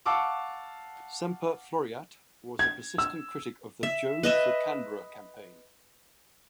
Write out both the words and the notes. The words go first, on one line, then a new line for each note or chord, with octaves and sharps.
"Semper Floreat" was a persistent critic of the "Joh for Canberra" campaign.
F5 F#5 A5 C#6 D6 E6
G#6
E6
E5
B4 D#5 E5